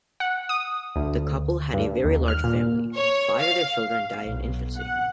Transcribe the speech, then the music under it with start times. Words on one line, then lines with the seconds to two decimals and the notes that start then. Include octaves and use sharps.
The couple had a very large family; five of their children died in infancy.
0.20 F#5
0.49 D#6
0.96 D2
1.74 G2
2.05 D#2
2.28 F6
2.44 A#2
2.95 C#5
3.39 F5
3.74 F5
4.24 B1
4.76 F#5